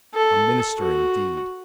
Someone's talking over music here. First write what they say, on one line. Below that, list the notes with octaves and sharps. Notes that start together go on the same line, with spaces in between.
"A minister indeed!"
A4
F#4